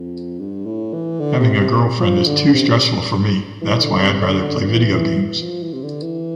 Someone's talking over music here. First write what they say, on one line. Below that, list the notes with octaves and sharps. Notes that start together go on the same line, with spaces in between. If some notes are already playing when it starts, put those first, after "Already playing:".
Having a girlfriend is too stressful for me, that’s why I’d rather play video games.
Already playing: F2
G2
A2
E3
D3
C3
C3
F3
D3
C3
E3
D3
C3
D3
D3
E3
E3
E3
F3
E3
C3
D3
E3